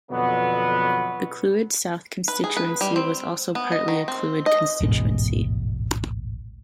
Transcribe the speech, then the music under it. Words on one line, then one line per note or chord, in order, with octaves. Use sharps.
The Clwyd South constituency was also partly a Clwyd constituency.
F2 B2 D3 F#3 B3
B4
G#4
B4
G3
C4
B3
D#5
D#3
C4
D#5
D1 A1 G#2 B2